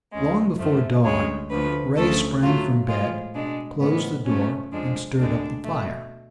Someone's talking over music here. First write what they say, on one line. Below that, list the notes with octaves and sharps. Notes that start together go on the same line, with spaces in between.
Long before dawn Ray sprang from bed, closed the door and stirred up the fire.
D2 C#3 G#3
F#2 F3 A3
D2 C#3 G#3 C#5
D2 D3 F3 A3 B4
D2 C#3 F3 A3 A4
A2 F#3 A3 F4
A2 F3 G#3 F4
B2 G#3 D4
A2 F3 G#3 B3
F#2 F3 A3 C#4
F2 F3 G#3 D4
D2 D3 G#3 D4
B2 A3